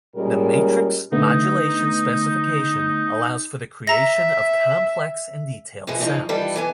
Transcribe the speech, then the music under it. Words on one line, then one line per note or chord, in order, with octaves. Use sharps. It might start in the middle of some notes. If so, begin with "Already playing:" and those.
The Matrix Modulation specification allows for the creation of complex and detailed sounds.
A#2 G3 G#3 C#4 A#4
D3 A3 B3 D#4
E5 A#5 A#6
B2 F3 G#3 E4 F#4 G#4
F2 E3 F3 D#4 D#5
D#3 E3 G3 F4 A4
E3 B3 G#5